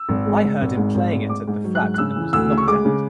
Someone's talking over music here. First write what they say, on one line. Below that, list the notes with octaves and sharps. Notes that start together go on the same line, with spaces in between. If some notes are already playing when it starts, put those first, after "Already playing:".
I heard him playing it at the flat and was knocked out.
Already playing: E6
G#1
G#3
G#2
G#1
G#2
G#1
G#2
G#2 D6
G#2
F#3
F#6
G#2
F#6
C#3 E6
E3
D2 E6
C#3
C#6
G#3 D6
C#3